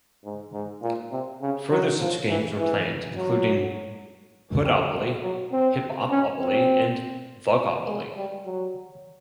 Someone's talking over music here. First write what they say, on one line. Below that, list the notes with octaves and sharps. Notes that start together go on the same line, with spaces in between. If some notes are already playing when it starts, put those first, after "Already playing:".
Further such games were planned, including "Hoodopoly", "Hiphopopoly", and "Thugopoly".
G#2
G#2
A#2
C3
C#3
F#3
F3
E3
E3
F#3
G3
G3
F#3
C4
C#4
C4
G#3
G3
F#3